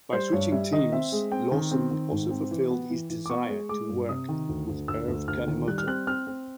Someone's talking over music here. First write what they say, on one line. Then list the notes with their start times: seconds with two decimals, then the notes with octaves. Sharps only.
By switching teams, Lawson also fulfilled his desire to work with Erv Kanemoto.
0.13 G3 C5
0.33 G2 C#5
0.52 G3 E5
0.72 D#3 D#5
0.92 C4 E5
1.12 G#3
1.32 C4 G5
1.51 D#3
1.71 C4
1.91 D#3
2.11 G#2
2.31 C4
2.51 E3
2.70 B3
2.90 E3
3.10 E3
3.26 D6
3.30 B3 C#6
3.49 G#3
3.69 G#3 D6
3.89 G2
4.09 C3 D#6
4.29 D#3
4.49 D2
4.69 D2
4.88 D2 E6
5.08 D2
5.28 D2 F6
5.47 D#3
5.67 G3 F#6
5.78 F6
5.87 C4 F#6
6.07 C4 F6
6.27 C4